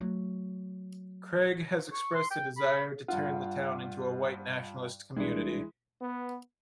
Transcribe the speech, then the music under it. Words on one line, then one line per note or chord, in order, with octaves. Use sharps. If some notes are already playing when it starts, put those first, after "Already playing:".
Craig has expressed a desire to turn the town into a white nationalist community.
F#3 A3
C#6
C6
G5
B5
G2 F4 F#5
C2 E3 G3 G#3 D4
B3